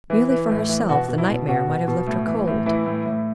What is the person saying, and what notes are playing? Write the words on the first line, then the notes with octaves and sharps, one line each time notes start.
Merely for herself, the nightmare might have left her cold.
E3
E3
A2
E3
B2 F#4
B2
E4
B2
B2 F#4
B2
B2
A2
E3
A2
E3 E4
A2
A2